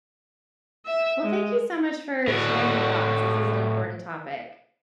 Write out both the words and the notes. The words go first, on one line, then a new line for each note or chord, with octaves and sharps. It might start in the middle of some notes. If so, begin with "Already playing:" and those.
Well, thank you so much for sharing your thoughts. This is an important topic.
E5
G#3
A2 F#4